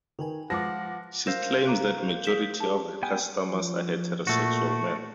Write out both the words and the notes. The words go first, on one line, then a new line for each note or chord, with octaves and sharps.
She claims that majority of her customers are heterosexual men.
D#3 A#4 B4 G#5
F3 G#3 F4 B4 F#5 D6 A#6
A#4 C5 F5 E6 A#6 E7
A#5 D6 F#6
G#4 B6 E7
G4 A5
B3 G5 G#5
F3
A#2 A3 F#4